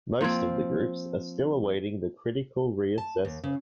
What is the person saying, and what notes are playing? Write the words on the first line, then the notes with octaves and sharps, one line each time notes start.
Most of the groups are still awaiting the critical re-assessment.
F3 A#3 C4 C6 G#6
A5
D#2
C#3